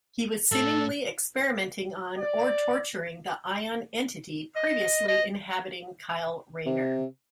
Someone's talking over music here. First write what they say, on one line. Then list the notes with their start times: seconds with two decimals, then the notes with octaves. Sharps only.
He was seemingly experimenting on or torturing the Ion entity previously inhabiting Kyle Rayner.
0.52 A2 A3 A4
2.16 D5
4.56 D#5
5.08 D#5
6.66 C3